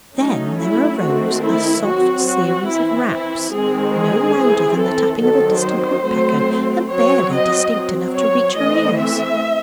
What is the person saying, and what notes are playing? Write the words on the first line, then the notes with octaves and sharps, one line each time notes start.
Then there arose a soft series of raps, no louder than the tapping of a distant woodpecker, and barely distinct enough to reach her ears.
F#3 A3 C#4 D#4
E4
D#3 A3 C4 F#4
E4
F#3 C4 F#4
F#4
E3 C4 E4
E4
D#3 G#3 C4 G#4
G#4
E3 C4
A4
D#3 F#3 C4 A4
C5
F#3 A3 C4
F#3 C4 C#5
D#5
F#3 C4
C#5
E3 A3 C4 D#5
E5